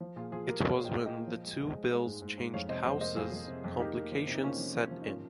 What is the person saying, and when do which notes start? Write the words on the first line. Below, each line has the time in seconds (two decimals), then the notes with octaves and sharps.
It was when the two bills changed houses, complications set in.
0.01 F3
0.16 A#2 F4 G#4
0.32 F3 F4 G#4
0.48 A#3 G4 A#4
0.64 A#3 C#5 F5
0.79 A#2
0.84 D#5 G5
0.95 A#3
1.06 D#5 G5
1.12 A#2
1.27 F3
1.44 G#3
1.59 G#3
1.75 G#3
1.91 G#3
2.06 G#2
2.22 G#2
2.38 G#2
2.54 F2 C#5 F5
2.69 C3 C5 D#5
2.85 F2 C5 D#5
3.01 A#3 C5 D#5
3.16 F2 F4 G#4
3.32 F2
3.48 C3
3.64 F2
3.80 A#3 D#4 G4
3.95 A#3
4.12 F3
4.27 C3
4.33 D#4
4.43 A#3 C#4 F4
4.58 F3
4.75 F3
4.91 F3
5.02 D#4
5.06 A#3 C#4 F4